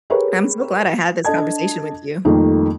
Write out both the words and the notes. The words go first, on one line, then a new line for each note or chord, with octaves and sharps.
I'm so glad I had this conversation with you.
G4 G#4 A#4 B4 C#5
D4 A4 D#5 A5 G#6
F2 D#3 G3 A3 A#3 D#4